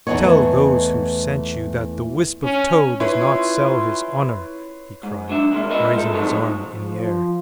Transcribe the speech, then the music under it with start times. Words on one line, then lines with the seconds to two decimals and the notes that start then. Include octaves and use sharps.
"Tell those who sent you that the wisp of tow does not sell his honor," he cried, raising his arm in the air.
0.07 E2 E3 A3 B3 D#4 C#5
2.43 C#4
3.00 C#4 E4 F4 B4 C#5 C6
5.03 G#2
5.29 F#3 D4 E5
5.52 C3 G#3 A#3
5.70 F4 A#4 B4 D#5 E5
5.93 G#3 C4 A4
6.13 F3 F#3 G#3 A3 D#4 C#5
6.64 F3
6.95 F3